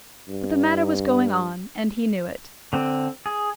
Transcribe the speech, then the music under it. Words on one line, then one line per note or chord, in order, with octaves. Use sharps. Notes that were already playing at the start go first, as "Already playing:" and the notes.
But the matter was going on, and he knew it.
G2
D3 C4
G#4